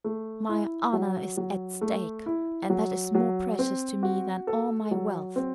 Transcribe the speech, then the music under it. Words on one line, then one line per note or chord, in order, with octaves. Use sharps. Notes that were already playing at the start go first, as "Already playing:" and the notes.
My honour is at stake, and that is more precious to me than all my wealth.
A3
E4
F#3
F#3
A3
E4
F#3
F#3
C4
F#4
A4
F#3
C4